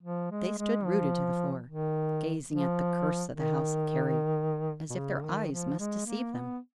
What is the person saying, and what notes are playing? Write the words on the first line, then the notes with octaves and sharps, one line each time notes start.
They stood rooted to the floor, gazing at the Curse of the House of Carey as if their eyes must deceive them.
F3
G#3
G#3
F3
D#3
F3
D#3
B2
C#3
D#3
F3
G#3
A#3
B3